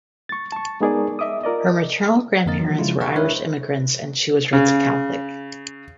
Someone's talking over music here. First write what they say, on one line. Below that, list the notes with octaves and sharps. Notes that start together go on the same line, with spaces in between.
Her maternal grandparents were Irish immigrants, and she was raised Catholic.
C#6 A6
A5 C#6
G#3 B3 D#4 G#4 A#4 D5
D#5 E5 D6 D#6
F4 A#4 D5 D#5
F2 D3 A#3 A#4 D#5 A6
D#3 E3 F#3 D#4
C#3 F3 G#3 E4 F4
G4 B4 D#5 F5 G5 C#6
D4 E4 A#4 B4 C#5 E5
C5
C#3